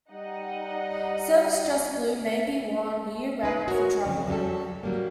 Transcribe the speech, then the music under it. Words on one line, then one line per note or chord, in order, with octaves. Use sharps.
Service Dress Blue may be worn year round for travel only.
G3 D#4 D#5 F#5
D#4 B4
F#4 A#4 C#5
F2 C#3 F3 F#3
F#3 G3 C#4 A4
F#3 G3 A#3